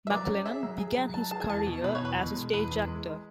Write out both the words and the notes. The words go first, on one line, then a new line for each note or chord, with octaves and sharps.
MacLennan began his career as a stage actor.
E5
F#3 D5
C#4
G#4 E5
F#3
G#4
F#3
F#3 A5
G#4 A5
G#5
E2 A5
B2
B2 B4
C#5
E2 B4
B2
G#3
E2 B4
E2
G#3
G#3